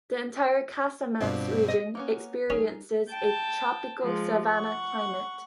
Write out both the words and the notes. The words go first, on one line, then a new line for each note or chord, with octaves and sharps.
The entire Casamance region experiences a tropical savanna climate.
G2 B2 C4 D4 F4
D#5
A#3 B3 C#4
G3 C#4 D#4 G#4 A#4
G5 A5
F3 G#3
F#5 C#6